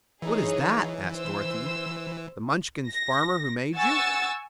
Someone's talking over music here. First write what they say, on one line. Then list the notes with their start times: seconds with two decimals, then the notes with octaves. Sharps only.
"What is that?" asked Dorothy; "the Munchkin farmer who made you?"
0.22 E3 D#4 G#4 C#5
1.16 C5 E6
2.87 A#6
3.75 F#5 G#5 C#6 E6 A6